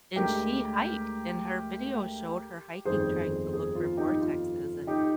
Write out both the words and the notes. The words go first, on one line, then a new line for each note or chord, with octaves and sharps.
and she hiked, and her video showed her hiking, trying to look for vortexes, and
D2 D3 G#3 G4 A#4
G1 F2 D#3 G3 G#4 C5
G#4 C5
F4
D#4 G4
F4
D#4 G4